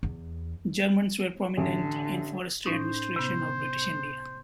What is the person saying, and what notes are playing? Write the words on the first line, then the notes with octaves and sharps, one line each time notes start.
Germans were prominent in the forestry administration of British India.
E2
A1 D3
A2 C#4 D#4 C5
C3 B3